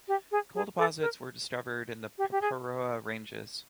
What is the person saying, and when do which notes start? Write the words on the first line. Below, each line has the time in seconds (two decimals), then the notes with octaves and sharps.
Coal deposits were discovered in the Paparoa Ranges.
0.08 G4
0.32 G#4
0.55 G#4
0.78 A4
1.01 A#4
2.18 G4
2.32 G4
2.41 G#4